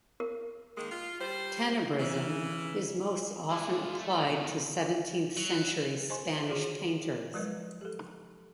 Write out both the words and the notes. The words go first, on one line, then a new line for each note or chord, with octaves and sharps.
Tenebrism is most often applied to seventeenth-century Spanish painters.
A#4
D#3 G#3 A#3
F4
G3 C5
C#3 E3
G#3 E4 D5
A3
F4
A3
F3
B2 D#3
F#3
C5 D#5 G#5 C6 C#6
D#3 F4 F#4 G#4 D5
F3 F#3 G#3 A#4 B4 D#5
G4 A4